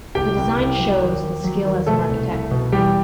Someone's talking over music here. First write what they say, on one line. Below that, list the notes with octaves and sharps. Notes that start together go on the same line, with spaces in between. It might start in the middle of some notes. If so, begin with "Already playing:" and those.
The design shows his skill as an architect.
C2 G4 G5
C2
C2
F#3
D#2
D#2
F#3
D#2
B2 A3 A4
C2
C2
B2
E2 G3 G4